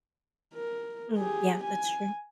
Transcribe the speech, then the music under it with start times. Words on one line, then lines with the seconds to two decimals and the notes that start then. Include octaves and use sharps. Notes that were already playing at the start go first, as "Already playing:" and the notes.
Mm, yeah, that's true.
0.54 A#4
1.18 G4 G#4
1.64 G#5